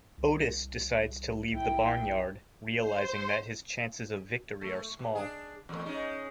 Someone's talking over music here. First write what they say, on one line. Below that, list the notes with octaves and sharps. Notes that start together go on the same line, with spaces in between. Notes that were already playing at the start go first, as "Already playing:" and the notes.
Otis decides to leave the barnyard, realizing that his chances of victory are small.
C2
B1 E4 G5
C5
A3
B2
D4 G#4
E2 A#2 A3
G#3 C#4 D#4